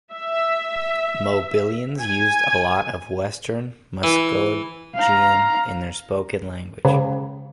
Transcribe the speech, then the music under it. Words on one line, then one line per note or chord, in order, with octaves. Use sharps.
Mobilians used a lot of Western Muskogean in their spoken language.
E5
G#5
E3
F5 A#5
C#3